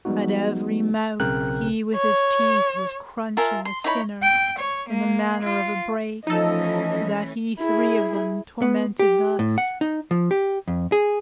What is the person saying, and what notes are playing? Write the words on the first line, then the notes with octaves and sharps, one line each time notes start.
At every mouth he with his teeth was crunching A sinner, in the manner of a brake, So that he three of them tormented thus.
F3 G3 G#3 B3 D#4 F#4
B1 C#3 C4 A#4 G5 F#6
C#5
F4 A#4 E5 G#5
C6
D#4 E4 C#5 B5
G5
C#5
A#3
F4
E3 F3 A3 C#4 D#4 A4 D#5
E4 G#4
B3
G4
A2
F#5
D#4
F3
G4
F2
G#4